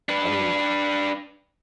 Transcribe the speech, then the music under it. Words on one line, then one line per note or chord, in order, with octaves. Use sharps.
I mean
D4 B4